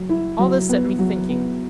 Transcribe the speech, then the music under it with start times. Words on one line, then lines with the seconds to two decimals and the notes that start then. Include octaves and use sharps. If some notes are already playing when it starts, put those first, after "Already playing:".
All this set me thinking.
Already playing: F#3
0.09 E4
0.39 F#3
0.69 B3
0.99 F#3
1.29 B3